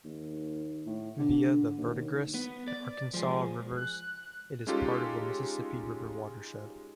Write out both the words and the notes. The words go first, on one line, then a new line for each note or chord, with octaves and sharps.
Via the Verdigris and Arkansas rivers, it is part of the Mississippi River watershed.
D#2
A2
D3
D#2
B3
D5
F3 G#3
F#6
G#3 C#4 D#4 F4 G4 A4